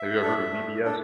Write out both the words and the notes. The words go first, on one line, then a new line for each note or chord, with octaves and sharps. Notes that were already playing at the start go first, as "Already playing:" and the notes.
Have you ever heard of BBS?
Already playing: E5
D4 A4
A3
D4 A4